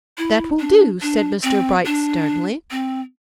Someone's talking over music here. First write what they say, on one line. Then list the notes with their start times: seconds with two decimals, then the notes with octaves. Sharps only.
"That will do," said Mr. Bright sternly.
0.18 E4
0.59 D4
1.02 D4
1.43 C4
1.86 D4
2.71 C4